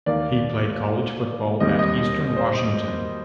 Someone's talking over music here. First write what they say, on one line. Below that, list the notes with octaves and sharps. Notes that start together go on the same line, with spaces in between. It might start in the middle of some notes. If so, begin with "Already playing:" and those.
He played college football at Eastern Washington.
D#2 D#3 A#3 D5
D#2 D#3 G3 C4 D#5
D#5
C5
D#5